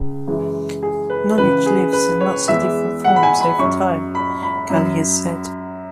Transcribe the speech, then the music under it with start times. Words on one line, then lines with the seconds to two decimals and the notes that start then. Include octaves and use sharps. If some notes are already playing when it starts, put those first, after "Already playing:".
"Knowledge lives in lots of different forms over time," Kahle has said.
Already playing: C#2 C#3
0.27 F#2 E3 G#3
0.83 G#4
1.10 B4
1.38 C#2 C#3 E3 B4
1.66 G#4
1.93 B4
2.21 C#5
2.48 E2 E3 G#3 E5
3.04 F#5
3.16 B5
3.23 G#5
3.41 B5
3.59 F#2 F#3 C#6
4.15 B5
4.43 B5
4.70 F#2 F#3